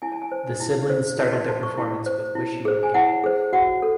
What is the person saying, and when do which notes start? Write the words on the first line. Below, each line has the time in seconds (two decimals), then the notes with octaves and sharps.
The siblings started their performance with "Wish You Were Gay".
0.02 E4 G#5
0.12 A5
0.22 G#5
0.32 C5
0.60 E4
0.90 C5
1.19 E4 A5
1.33 C6
1.48 C5 A5
1.63 C#6
1.77 E4
2.06 C5
2.35 E4
2.65 G#4 C5
2.83 G#5
2.94 E4 F#5
3.24 G#4 C5
3.53 F#4 F#5
3.82 A4